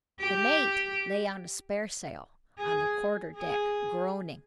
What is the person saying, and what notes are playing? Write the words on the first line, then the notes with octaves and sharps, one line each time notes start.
The mate lay on a sparesail on the quarter-deck, groaning.
G4
G#4
G#4